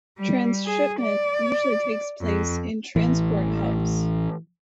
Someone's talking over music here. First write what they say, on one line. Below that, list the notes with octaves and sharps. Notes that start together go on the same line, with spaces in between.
Transshipment usually takes place in transport hubs.
G3
G#4
D5
F2
A1 E3